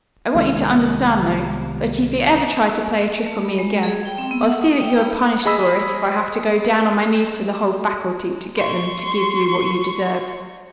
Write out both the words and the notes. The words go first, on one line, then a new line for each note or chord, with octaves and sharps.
I want you to understand, though, that if you ever try to play a trick on me again, I'll see that you are punished for it if I have to go down on my knees to the whole faculty to get them to give you what you deserve.
C2 D#3 G#3 B3
A3
B5
G#3
G#4
G5
C4
B3
F#5
D#6
G5
B5
G#4 D#5 B5 E6
C6 C#6